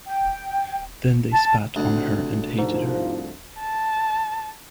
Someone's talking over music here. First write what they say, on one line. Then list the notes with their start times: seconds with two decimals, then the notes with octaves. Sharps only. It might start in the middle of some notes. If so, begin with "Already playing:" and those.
Then they spat on her and hated her.
0.05 G5
1.32 A5
1.76 D2 C3
2.58 C2 G#2 F3
3.60 A5